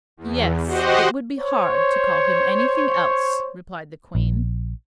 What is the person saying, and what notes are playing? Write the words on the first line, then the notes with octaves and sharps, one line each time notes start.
"Yes, it would be hard to call him anything else," replied the Queen.
E2
F#4 G4 C5 D#5 F#5
C5 C#5
A#1